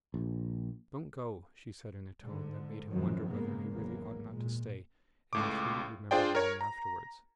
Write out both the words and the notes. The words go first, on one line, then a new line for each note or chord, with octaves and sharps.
"Don't go!" she said in a tone that made him wonder whether he really ought not to stay and which he remembered long afterwards.
A#1
G#2 D3
F#2 A#2 D#3 F3 F#3
G#2 C#3 G#3 A#3 B3
G#1 E2 G#2 F#3 A#3
A#2 G#3
C#2 A2 D6
D4 F4 G#4 C5 D5 G5
A#4 C#5
A#5